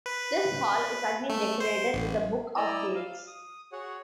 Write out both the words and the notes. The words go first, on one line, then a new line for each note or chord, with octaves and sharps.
This hall is again decorated with the Book of Gates.
B4
A3
C5
A1
E4 D5 D#5 A#5 E6
F5
D#6
F#4 G#4 C#5 F#5